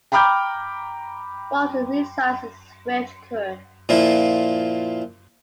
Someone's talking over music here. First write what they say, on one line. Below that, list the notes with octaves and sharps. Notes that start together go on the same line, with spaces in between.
Wall resides in Swift Current.
G5 A#5 B5 D6 F6 G6
A#2 F3 E4